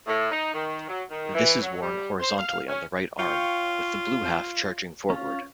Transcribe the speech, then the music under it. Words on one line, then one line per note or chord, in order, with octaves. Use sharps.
This is worn horizontally on the right arm with the blue half charging forward.
A2
D#4
D#3
F#3
D#3
E3
F#3
G3
C5
F5
C#4
F4 C#5 F5 G5
C#4 F4